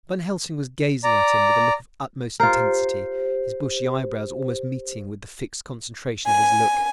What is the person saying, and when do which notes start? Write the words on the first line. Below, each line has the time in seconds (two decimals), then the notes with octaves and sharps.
Van Helsing was gazing at him with a look of utmost intensity, his bushy eyebrows almost meeting with the fixed concentration of his look.
1.04 D5 A#5
2.40 F4 G4 A#4 C5
6.26 G#5